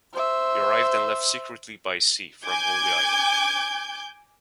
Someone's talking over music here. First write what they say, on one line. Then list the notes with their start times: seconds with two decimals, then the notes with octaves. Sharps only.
He arrived and left secretly by sea from Holy Island.
0.13 C5 E5
2.44 G#5 D6 G6 G#6